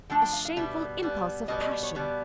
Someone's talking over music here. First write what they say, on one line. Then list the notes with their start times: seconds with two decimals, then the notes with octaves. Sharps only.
A shameful impulse of passion.
0.10 F3 A3 D4 G5
0.21 G5
0.33 F5
0.45 F5
0.56 B2 G3 B3 E5
1.02 B2 G3 B3
1.48 B2 G3 B3 D#5
1.60 D#5
1.83 C#5
1.95 B2 G3 B3